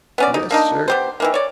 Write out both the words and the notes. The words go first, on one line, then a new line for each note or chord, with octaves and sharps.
"Yes, sir."
B3 C#4 D5
D#4
A#3 D4 D#4
B3 G4 C5
D#3 E3 A#3
C#5 D5